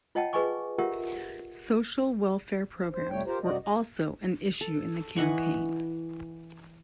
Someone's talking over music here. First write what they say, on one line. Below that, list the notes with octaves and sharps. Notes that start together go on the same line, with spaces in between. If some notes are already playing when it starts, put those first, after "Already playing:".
Social welfare programs were also an issue in the campaign.
F4 C#5 D#5 F#5 G5 A5
G#4 B4 D#5 G#5 C#6 D6
F4 G4 A#4 C#5 E5 F#5
F3
C5
F2 C3 G3 A3 C#5 G5
F4 G4 A#4 C5
F#2 C3 G3 F#4 D5 D#5
D#5
A4
E3 D#5 F#5 C#6